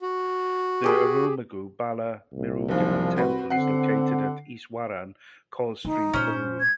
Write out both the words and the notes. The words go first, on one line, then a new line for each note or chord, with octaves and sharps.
The Arulmigu Bala Murugan Temple is located at Easwaran Koil Stree, Porur.
F#4
G4 G#4 B5
C2
F#1 D#2 F3
C4 F#4 B4
D3 C4 F#5 C7
E3 D#4
A#2 G#3 C#4 C5
G#6